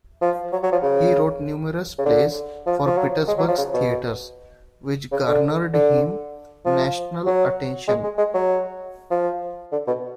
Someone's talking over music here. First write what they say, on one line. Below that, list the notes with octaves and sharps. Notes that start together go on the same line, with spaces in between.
He wrote numerous plays for Pittsburgh's theatres which garnered him national attention.
F3
F#3
F#3
F3
C#3
C#3
D3
F3
F3
F#3
G#3
F#3
F3
C#3
B2
C#3
D3
D3
F3
F#3
G#3
G#3
G#3
F#3
F3
D3
B2